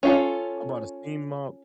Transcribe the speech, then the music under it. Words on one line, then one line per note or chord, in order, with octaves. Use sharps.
I bought a steam mop.
C#4 F4 A4